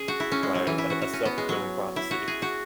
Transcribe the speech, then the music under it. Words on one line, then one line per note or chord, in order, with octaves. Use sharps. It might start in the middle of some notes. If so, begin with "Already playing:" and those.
Right, a a self-fulfilling prophecy.
Already playing: C#4 G#4
F#4
E4
C#4
G#3
F#3
E3
E4
F#4
F#4
C#4
B3
G#3
F#3
E4
F#4
G#4
F#4